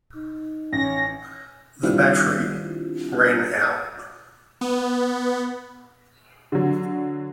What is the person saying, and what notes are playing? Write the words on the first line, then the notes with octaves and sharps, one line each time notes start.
The battery ran out.
D#4
A1 C#4 A#6
D#3 G3 C4 D4 E4 F4
B3
D3 F#3